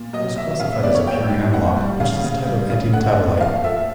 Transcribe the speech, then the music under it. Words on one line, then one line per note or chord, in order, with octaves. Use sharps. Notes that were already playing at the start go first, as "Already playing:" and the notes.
It is classified as a purine analog, which is a type of antimetabolite.
Already playing: A#2
F#3 D#5
F#3 E5
C#3 F5
E5
B3 D5
C#5
A#2 G5
G3
A#2 F#5
G3
C#3 F5
C#3
G3
C#3
A3 F#5
A#2
F3 F5
A3 E5